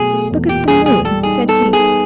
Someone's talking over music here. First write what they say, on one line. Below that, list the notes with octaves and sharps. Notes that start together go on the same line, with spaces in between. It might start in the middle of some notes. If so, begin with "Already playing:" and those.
"Look at the moon," said he.
Already playing: B2 F#3 A3 G#4
A3
E2
A#2 G4
G3 G#4
G3 G#4
G3 A4
D#4 G#4
B3
A4
B3
G#4
D#4